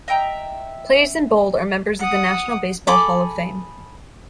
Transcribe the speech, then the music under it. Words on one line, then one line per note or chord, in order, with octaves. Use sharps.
Players in Bold are members of the National Baseball Hall of Fame.
D#5 E5 G5 A#5
F#5 D#6
G#4 A4 B5 D6